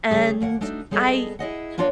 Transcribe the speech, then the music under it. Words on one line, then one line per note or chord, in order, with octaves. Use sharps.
and I
C#3 G3 G#4
D#2 A#3 F5 F#5
A3 D4 D#4 F#4
G3 B3 G#4 A4 C5 D#5
E4 G#4 D#5 F#5
A#3 D4 F4 F#4 C#5 D5